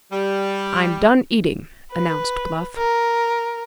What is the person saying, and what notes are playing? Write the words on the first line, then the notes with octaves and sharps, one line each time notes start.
"I'm done eating," announced Bluff.
G3
B4
A#4